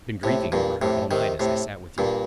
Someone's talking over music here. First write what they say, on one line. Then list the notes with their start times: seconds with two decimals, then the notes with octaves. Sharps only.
I've been grieving over her all night as I sat with you....
0.23 A2 C3
0.52 G2 A#2
0.82 A2 C3
1.11 C3 D#3
1.40 A2 C3
1.98 G2 A#2